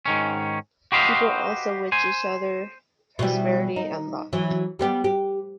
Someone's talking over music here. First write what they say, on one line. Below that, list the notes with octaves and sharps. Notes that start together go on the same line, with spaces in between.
People also wish each other prosperity and luck.
G#2 D#3 C#4
F#4 G4 B4 C5 D#5 F5
C5 G#5
B2 E3 G3
D#4
E3 F#3
G3 B3 G4
G4